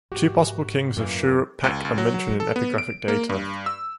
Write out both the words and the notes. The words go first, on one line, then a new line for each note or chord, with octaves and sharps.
Two possible kings of Shuruppak are mentioned in epigraphic data.
G#2 F#4 G4
F#2 A#2 E3 A#3
C#2
C#2
F#3
F#3
A4
B3
D7
A#3
G2
E6